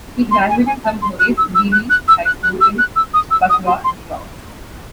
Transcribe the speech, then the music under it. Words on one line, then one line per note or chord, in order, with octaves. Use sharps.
He graduated from Horace Greeley High School in Chappaqua, New York.
C6
G#5
G#5
A5
C6
F#6
E6
E6
F#6
F#6
E6
F#6
F#6
E6
F#6
E6
D#6
E6
D#6
C6
C6